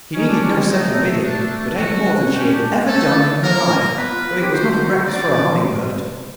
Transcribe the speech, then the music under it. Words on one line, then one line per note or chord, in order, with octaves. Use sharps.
She needed no second bidding, but ate more than she had ever done in her life, though it was not a breakfast for a humming-bird!
C#4 D#4
D4
D4
C4
A3 D#4
A3
A3
A3 D4
F#4
C#4 G4
D4
G#3
A3 A4
A#3 A#4
B3 B4
F4
F4
G4
F#4 C5
D5